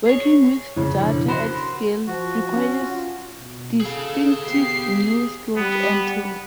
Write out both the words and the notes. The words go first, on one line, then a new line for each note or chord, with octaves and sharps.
Working with data at scale requires distinctive new skills and tools.
G#4 C#5
F2 C#3 E3
B1 F2 D3
F#4 A#4 C5 B5
F3 F#4
C#4
F4
B2
G#4 A4 F5
B3 G4 C7
G3 B3